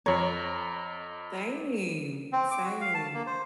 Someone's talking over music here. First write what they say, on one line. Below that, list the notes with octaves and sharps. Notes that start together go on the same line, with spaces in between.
Same, same.
F2 C#5 A#5
C4
D6
F#4
F5
A5
A#3
C5